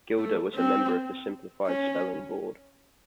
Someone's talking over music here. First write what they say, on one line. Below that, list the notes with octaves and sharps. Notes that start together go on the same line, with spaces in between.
Gilder was a member of the Simplified Spelling Board.
A3
C4
C#4